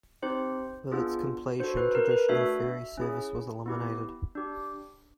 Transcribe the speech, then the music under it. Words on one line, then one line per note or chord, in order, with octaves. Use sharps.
With its completion, traditional ferry service was eliminated.
C4 D#4 G4 C5
B3 D4 F4 G#4
D4 F#4 A4 C5
B4
A#4
B4
A3 D4 F#4 A4 E5
C#4 E4 G#4
B3 E4 G4
D4 G4